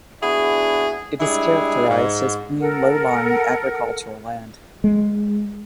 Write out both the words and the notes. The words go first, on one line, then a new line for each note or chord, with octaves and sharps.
It is characterized as plain, low-lying agricultural land.
B3 D4 E4 F#4 G#4
G3 G#3 D4 E4 G#4
G#2
A4 A#4 F#5
G#3